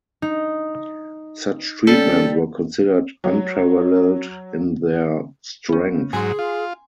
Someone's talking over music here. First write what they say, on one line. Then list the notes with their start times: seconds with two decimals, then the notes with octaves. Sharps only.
Such treatments were considered unparalleled in their strength.
0.22 D#4
1.87 G3 C#4 A4
3.24 F#3
5.69 B3 C#4
6.13 G#2 F#3 G#4 G#5 C6
6.39 F4